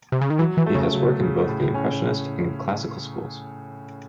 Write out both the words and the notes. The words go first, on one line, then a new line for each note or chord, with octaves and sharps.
He has work in both the impressionist and classical schools.
C3
C#3
D#3
E3 F#3
E3
A3
C#3
F#3
C#3
A2
C#4